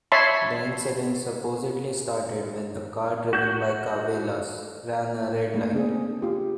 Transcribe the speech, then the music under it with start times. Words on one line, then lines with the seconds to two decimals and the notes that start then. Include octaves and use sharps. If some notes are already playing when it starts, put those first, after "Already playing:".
The incident supposedly started when the car driven by Karvelas ran a red light.
0.12 C#5 E5 A5 B5 C6
3.33 F#4 G6
5.54 A3 A#3
5.73 C#3 B3 C4 D4 G#4 C5
6.22 F4 G4